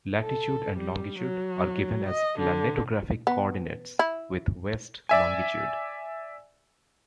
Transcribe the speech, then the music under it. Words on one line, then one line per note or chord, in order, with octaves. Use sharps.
Latitude and longitude are given as planetographic coordinates with west longitude.
A4
G3
F#3
D#5
D3
B3
E4
D5 E5 G#5